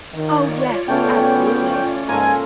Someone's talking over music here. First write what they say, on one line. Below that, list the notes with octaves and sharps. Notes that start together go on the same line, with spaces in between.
Oh, yes, absolutely.
D#3 F4 C#5 D5
C#3 A3 B3 C#4 G5
G#2 A#3 F4 A4 G#5